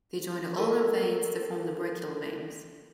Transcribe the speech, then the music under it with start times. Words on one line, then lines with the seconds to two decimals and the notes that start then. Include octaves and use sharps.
They join the ulnar veins to form the brachial veins.
0.56 A4 A#4 C#6 E6